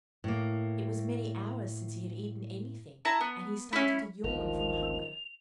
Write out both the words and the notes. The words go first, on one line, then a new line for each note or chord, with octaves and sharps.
It was many hours since he had eaten anything and he started to yawn from hunger.
A2 A#3
E4 A5 A#5
B3
C#4 E4
G#1 D2 D#3 F3 F7